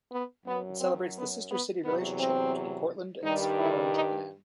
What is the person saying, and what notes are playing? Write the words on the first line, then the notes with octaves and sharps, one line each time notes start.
It celebrates the sister city relationship between Portland and Sapporo, Japan.
B3
F#2 F#3 B3
C4
B3
B3
E2 C3 F#3 B3
C4
G2 D#3 G3 D#4
E4
D#4